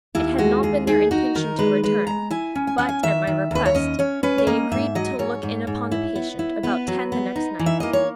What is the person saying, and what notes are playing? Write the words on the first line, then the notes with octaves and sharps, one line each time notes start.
It had not been their intention to return; but, at my request, they agreed to look in upon the patient about ten the next night.
D#2 E4
G#3 F#4
D#2 G#4
D#4 G#4
D#4 F#4
D#3 A#4
G#3 B4
G#3 B4
G#3 A#5
E4 G#5
C#4
G#5
C#4 F#5
G#5
D#3 E5
D#3
D#2 B4
C#5
C#4 D#5
C#4 C#5
C#4 B4
C#5
A#3 D#5
G#2 E5
F#3 D#5
G#2 C#5
G#2
G#2
E4
B3
E4
B3 B4
F#3
B3
D#4
E3
E5
A#3 D#5
C#5